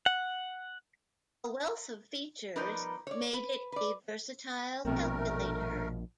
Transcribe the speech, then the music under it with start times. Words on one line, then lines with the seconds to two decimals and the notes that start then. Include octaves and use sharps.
A wealth of features made it a versatile calculator.
0.06 F#5
2.56 F3 G3 B3 D#4 A#4 B4
3.07 C#5 D5
3.33 B4
3.72 B4 D5
4.85 A#1 G2 B2 A3 C4 A#4